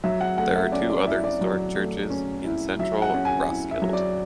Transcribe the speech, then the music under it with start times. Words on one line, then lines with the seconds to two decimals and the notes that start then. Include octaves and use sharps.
There are two other historic churches in central Roskilde.
0.04 F#3 E5
0.21 F#5
0.38 A3 F#5
0.55 E5
0.72 C#4 D5
0.90 D5
1.07 E4 E5
1.24 D5
1.41 F#3
1.76 A3
2.10 C#4
2.45 E4
2.79 F#3 E5
3.02 F#5
3.14 C#4
3.25 G#5
3.48 E4
3.71 E5
3.82 F#3
3.93 D5